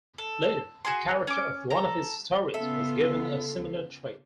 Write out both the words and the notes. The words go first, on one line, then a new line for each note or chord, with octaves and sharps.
Later, a character of one of his stories was given a similar trait.
A4
F#4 G#4 G#5 C6
C#4 D6
A4 A#5
C#3 B3 F4 A4 E5